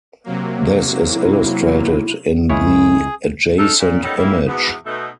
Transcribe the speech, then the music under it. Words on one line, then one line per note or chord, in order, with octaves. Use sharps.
This is illustrated in the adjacent image.
C3 F#3 A#3
E4
C#2 E4 G#4 C#5
C#3 A3 D#4 A4 A#4 E5
A#2
D#3 G3 B3 C#4 D#4 A4
G#2 G3 A#3 E4
E2 G#2 B2 B3
B2 A3 D#4